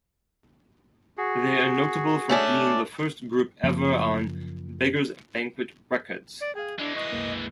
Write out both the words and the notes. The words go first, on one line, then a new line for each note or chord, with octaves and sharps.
They are notable for being the first group ever on Beggars Banquet Records.
F#4 G#4
A3 C#4 D4
F#2 C#3 F3 A#3
D5
G#4 F5 G5
E3 G#3 D4
D#5 C#6
C2 F#2 A#3